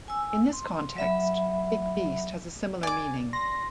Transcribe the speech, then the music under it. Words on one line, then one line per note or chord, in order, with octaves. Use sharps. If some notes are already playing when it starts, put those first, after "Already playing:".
In this context, "big beast" has a similar meaning.
G#5 E6
C6
F#3 E5 B5
D5 G#5 D6
C6 A#6